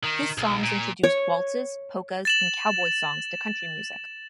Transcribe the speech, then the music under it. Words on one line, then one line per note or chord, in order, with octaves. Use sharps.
His songs introduced waltzes, polkas, and cowboy songs to country music.
D#3
B1
A#2
C#5
A6 E7 F#7